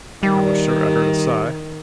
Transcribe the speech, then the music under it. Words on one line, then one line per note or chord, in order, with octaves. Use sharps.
I was sure I heard a sigh.
D#3 G3